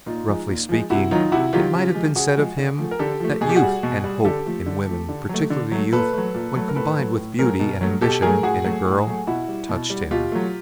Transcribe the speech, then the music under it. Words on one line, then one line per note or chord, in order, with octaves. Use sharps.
Roughly speaking, it might have been said of him that youth and hope in women--particularly youth when combined with beauty and ambition in a girl--touched him.
A#2 D#4 F4
F3 G#3
A#2
F3 G#3
C3 E4 F#4
D#3 F#3 D#4 F4
C3 E4 F#4
D#3 F#3 F4 G4
C#3
F3 G#3
C#3 F#4 G#4
F3 G#3
D3
F3 A3
A#4
D3 G4 A4
F3 A3
B2 G#4
G4
F#4 G#4
G3
B2
G3
D3 G4 A4
F3 A3
D3
F3 A3
D3
F#3 A3
D3
F#3 A3
A#2 A4 B4
F#3 A3
A#2
F#3 A3
A#4
A2 A4 B4
F#3 A3
A2
F#3 A3 G#4 A#4
B2
F#3 A3
B2 G4 A4
F#3 A3 G#4 A#4
A2 F#4 G#4
F#3 A3
A2
F#3 A3
B2 E4 F#4
G3
B2
G3
B2 F4 G4
F#3 A3